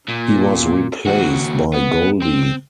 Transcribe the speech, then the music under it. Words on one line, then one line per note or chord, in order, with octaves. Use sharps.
He was replaced by Goldy.
A#2
D#2 F#4
B3
C4